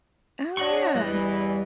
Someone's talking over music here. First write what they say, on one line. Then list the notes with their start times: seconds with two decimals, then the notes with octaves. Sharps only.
Oh, yeah.
0.57 D4 C#5 D#5 F#5 C#6
0.95 E2 E3 G3 D#5 F#6